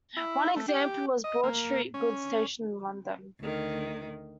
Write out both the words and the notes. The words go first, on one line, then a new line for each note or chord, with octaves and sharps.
One example was Broad Street goods station in London.
E4
A3
G4
D#5
A#3
C#4
D2 D#3